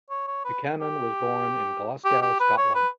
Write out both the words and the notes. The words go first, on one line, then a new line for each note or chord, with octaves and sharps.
Buchanan was born in Glasgow, Scotland.
C#5
C#5
B4
G4
G4
G4
B4
C#5
B4